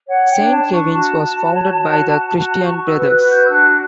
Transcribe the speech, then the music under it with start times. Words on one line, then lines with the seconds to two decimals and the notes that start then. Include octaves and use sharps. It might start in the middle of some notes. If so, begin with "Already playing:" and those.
Saint Kevin's was founded by the Christian Brothers.
0.09 C#5 F#5
0.30 G5
0.37 D4
0.52 A5
0.65 D4
0.73 C#6
0.94 F#4 A5
1.22 F#4
1.51 C#5
1.79 F#4
2.09 F#4
2.37 F#4
2.65 F#4 C#6
2.87 E6
2.94 B4
3.08 F#6
3.22 F#4
3.30 G6
3.45 E6
3.51 D4 F#6